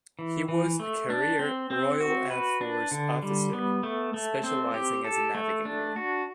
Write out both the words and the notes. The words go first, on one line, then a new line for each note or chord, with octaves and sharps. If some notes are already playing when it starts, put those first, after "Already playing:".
He was a career Royal Air Force officer, specialising as a navigator.
E3
E3
A3
D4
C4
C4
F#4
B4
D4
D3
G3
B3
A3
A3
C4
G4
A4
A3
D4
F#4